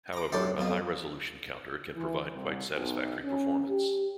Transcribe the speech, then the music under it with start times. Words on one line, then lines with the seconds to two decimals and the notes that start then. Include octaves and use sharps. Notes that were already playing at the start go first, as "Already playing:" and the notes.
However, a high-resolution counter can provide quite satisfactory performance.
0.13 A#5 D6
0.32 F#2 D4 G4 A4 A5 C6
0.58 B1 F2 F4
1.94 E3
2.32 C2
2.74 B1
3.24 C#4
3.69 G4